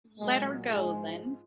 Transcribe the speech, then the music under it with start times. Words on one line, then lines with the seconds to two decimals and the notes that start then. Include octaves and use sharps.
Let her go, then.
0.20 A#2 F#3 G#3
0.69 G#2 F3 G#3